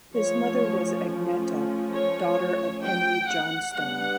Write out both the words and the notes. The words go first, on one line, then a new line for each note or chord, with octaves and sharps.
His mother was Agneta, daughter of Henry Johnstone.
F3 A3 C#4 C#5
C#5
G5
F#5
G3 B3 D4 F#5